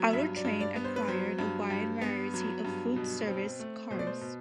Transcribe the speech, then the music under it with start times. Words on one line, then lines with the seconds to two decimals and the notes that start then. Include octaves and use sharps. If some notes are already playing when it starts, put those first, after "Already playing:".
Auto-Train acquired a wide variety of food service cars.
Already playing: F#3 B3
0.13 G2 E5
0.36 D5
0.45 G2
0.61 D5
0.76 B3
0.84 C5
0.96 B4
1.08 F#3 C5
1.39 G2
1.70 G2
2.01 B3
2.34 F#3
2.65 G2
2.96 B2
3.28 C4
3.60 A3
3.90 B2 C5
3.99 D5
4.07 C5
4.21 B2